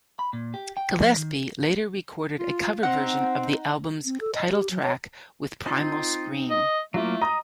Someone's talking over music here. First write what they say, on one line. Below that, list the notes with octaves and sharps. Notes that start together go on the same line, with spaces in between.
Gillespie later recorded a cover version of the album's title track with Primal Scream.
B5
A#2
G4
G5
F3
D#3
F4
C4 D#4 F#5
C4
A4
D#5
G4
F#3
C#5
C4 D#4 F4
D#5
F#3 A3 A#3 E4 F4
D#5 A#5 D#6